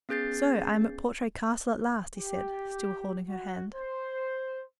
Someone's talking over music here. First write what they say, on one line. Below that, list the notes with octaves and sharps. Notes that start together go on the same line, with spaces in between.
"So I am at Portray Castle at last," he said, still holding her hand.
B3 C#4 G#4 G6 A6 C7
G4
F#4
C5